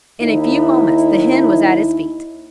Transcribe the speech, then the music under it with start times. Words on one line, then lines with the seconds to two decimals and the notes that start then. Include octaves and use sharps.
In a few moments the hen was at his feet.
0.20 D#2 D#4 E4